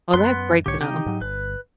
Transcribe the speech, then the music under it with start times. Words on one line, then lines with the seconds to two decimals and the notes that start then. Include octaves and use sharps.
Well that's great to know.
0.14 F#2 B3 B4 C6
0.66 B1 G#2 D3 G4 C#5
0.81 C3 D#4 G4
1.06 G#2 F#3
1.21 G1 B4